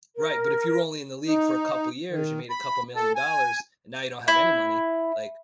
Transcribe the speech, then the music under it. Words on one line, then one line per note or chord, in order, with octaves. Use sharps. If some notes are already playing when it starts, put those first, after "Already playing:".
Right, but if you're only in the league for a couple of years, you made a couple million dollars and now you don't have any money, like,
A#4
D#4
D#3
B5
A4
G#5
E4